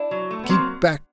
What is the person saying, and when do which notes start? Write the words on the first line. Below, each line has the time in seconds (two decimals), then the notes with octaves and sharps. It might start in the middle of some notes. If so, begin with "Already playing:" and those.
'Keep back!
Already playing: D4 E4
0.11 F#3
0.31 A3
0.44 B3
0.49 F#3 A#3 C4